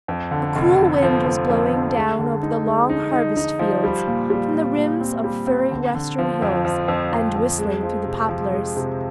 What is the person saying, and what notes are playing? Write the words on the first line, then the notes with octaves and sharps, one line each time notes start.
A cool wind was blowing down over the long harvest fields from the rims of firry western hills and whistling through the poplars.
F2
D3
F1
F1
F3
F3
F2
D3
G#3
D3
D#4
G#3
D#4
D#4
D#4
F3
G3
A#2
G3
A#2
A#2
C4
G3
C4
D3
D3
F3
F2
F3
F2
F2
F2
G#3
F3
C3
F3
G#3
C3